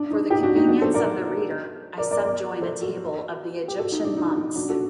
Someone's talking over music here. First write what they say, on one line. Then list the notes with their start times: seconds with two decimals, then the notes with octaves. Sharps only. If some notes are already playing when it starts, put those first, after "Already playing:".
For the convenience of the reader, I subjoin a table of the Egyptian months.
Already playing: D4
0.10 D#4
0.30 D#4 G4
0.43 D4 F#4
0.56 D#4
0.68 D4 F#4
0.81 A4 C5
0.94 A#4 D5
1.98 A#4 D5
2.11 A#4 D5
2.24 A#4 D5
2.62 A4 C5
2.81 F#4 A4
3.68 G4
3.78 F#4 A4
3.92 D#4
4.04 D4
4.17 D#4
4.36 D#4
4.56 D4 F#4
4.69 F#4 A4